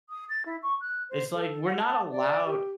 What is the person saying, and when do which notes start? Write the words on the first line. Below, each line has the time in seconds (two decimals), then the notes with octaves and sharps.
It's like we're not allowed
0.09 D#6
0.29 A6
0.45 E4
0.62 C#6
0.80 F#6
1.09 C5
1.33 A4
1.64 F#5
1.78 A5
2.11 D5
2.45 G4